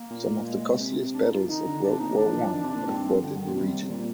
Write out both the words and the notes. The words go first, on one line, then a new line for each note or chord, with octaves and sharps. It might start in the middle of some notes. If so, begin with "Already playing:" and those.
Some of the costliest battles of World War One were fought in the region.
Already playing: A#3
A#2
G#3
C3
D4
D#4
F4
D#3 D#4
D3
D#3 D4
C3
A#2 D#4
C3
D#3 D4
F3
D#3
F3
D#3 D4
C3
D4
A#2
G#2 C4
G2
F2
G2 D3
G#2
D#3
A#2
C3 G3
C3
A#2 G3